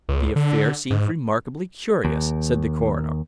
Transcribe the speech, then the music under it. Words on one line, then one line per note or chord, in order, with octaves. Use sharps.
"The affair seems remarkably curious," said the coroner.
C#2
D3
G#2
D#2